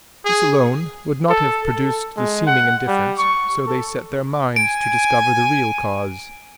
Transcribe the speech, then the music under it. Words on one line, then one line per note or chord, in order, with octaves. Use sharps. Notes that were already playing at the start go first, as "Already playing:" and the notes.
This alone would not have produced the seeming indifference, so they set their minds to discover the real cause.
G#4
A4
A4
G#3
F#5
G3
C#6
A4
G#5 D7